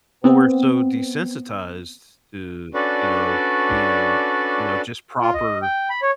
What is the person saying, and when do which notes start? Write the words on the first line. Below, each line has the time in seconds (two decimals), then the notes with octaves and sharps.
Well, we're so desensitized to, you know, being, you know, just proper
0.24 B3 C4
2.74 C#4 D4 F#4 A4 B4 D5
5.22 F4
5.34 D#5
5.62 G5
5.90 B5
6.02 C#5